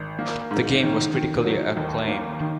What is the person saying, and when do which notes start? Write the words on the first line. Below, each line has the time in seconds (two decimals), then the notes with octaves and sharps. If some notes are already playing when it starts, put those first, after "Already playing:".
The game was critically acclaimed.
Already playing: G#1
0.19 A#3
0.51 G#2
0.82 D#3
1.13 D#3
1.45 F#3
1.77 D#2
2.08 A#3
2.40 D#3